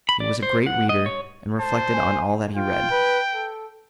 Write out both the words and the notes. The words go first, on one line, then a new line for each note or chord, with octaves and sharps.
He was a great reader, and reflected on all that he read.
B5
D5
C5
F#5
D#5
C#5
C5 A5
G#5
F4 G5
B4
A4